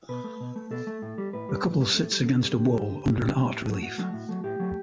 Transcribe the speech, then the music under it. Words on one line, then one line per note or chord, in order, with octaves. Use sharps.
A couple sits against a wall, under an art relief.
B2 B4
A3
B2
A3
B2 A4
A3
A2
G3
A2 B4
G3
A2
G3
A2 A4
G3
D3
G3
D3 G4
G3
D3
G3
D3 G4
G3
A2
F#3 A3
A2 F#4
F#3 A3
A2
F#3 A3
A2 G4
F#3 A3